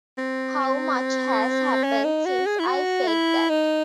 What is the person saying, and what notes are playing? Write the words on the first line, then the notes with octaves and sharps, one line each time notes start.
How much has happened since I said that!
C4
C#4
D#4
F#4
G#4
E4
F#4
E4
D#4